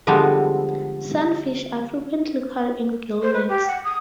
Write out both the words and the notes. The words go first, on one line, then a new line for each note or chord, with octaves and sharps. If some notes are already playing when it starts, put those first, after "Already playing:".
Sunfish are frequently caught in gillnets.
D3 F3 G3 G#3 B3 C4
C5
B4
G4
F#5
D#6